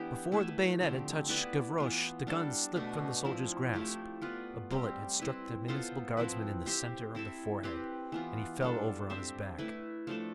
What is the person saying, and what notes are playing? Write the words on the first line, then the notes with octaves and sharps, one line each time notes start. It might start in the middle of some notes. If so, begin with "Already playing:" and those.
Before the bayonet had touched Gavroche, the gun slipped from the soldier's grasp, a bullet had struck the municipal guardsman in the centre of the forehead, and he fell over on his back.
Already playing: E3 B3 D4 E4 G4
A3 E4 B4 E5
D3 F3 C4 G4
B3 E4 B4 D5
E3 B3 F4
G3 D4 A4
B2 A3 D4
F3 C4 E4
F3 A3 E4 G4
B3 F4 B4 D5
G3 C4 G4
C4 E4 B4
B3 F4 A4 C5
F3 C4 E4 B4
C4 G4 C5 E5
C4 E4 A4 E5
C4 G4 B4
E3 B3 F4
G3 D4 F4 A4
C4 G4 C5 E5
A3 E4 B4 E5
F3 A3 D4 A4